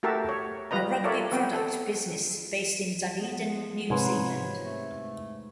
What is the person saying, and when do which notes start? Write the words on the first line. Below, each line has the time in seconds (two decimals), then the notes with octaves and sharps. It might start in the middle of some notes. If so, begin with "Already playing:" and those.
A rugby product business based in Dunedin, New Zealand.
0.03 A3 F#4 G4 A#4 E5 A5
0.29 C#5
0.71 G3 F4 B4 D#5 A#5
1.04 F4 A4 A#4 C#5 D5 E5
1.32 B3 C4 G5
1.53 A4
3.19 F3 G#3 B3
3.90 G#2 C3 B4 C#5
4.66 A3